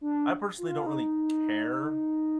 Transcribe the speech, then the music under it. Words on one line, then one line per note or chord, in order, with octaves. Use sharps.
I personally don't really care
D4
F4
D#4